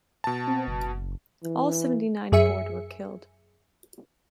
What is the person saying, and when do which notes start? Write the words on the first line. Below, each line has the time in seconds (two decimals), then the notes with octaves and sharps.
All seventy-nine aboard were killed.
0.24 B2 A5
0.47 C4
0.68 F#1
1.44 E3
2.32 F#2 G#4 E5 C#7